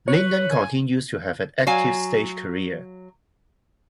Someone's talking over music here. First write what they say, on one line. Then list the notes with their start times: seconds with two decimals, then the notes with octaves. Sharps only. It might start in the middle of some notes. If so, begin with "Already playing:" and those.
Linden continues to have an active stage career.
0.08 B4 C#5
0.51 G#5
1.67 F#3 F5 G#5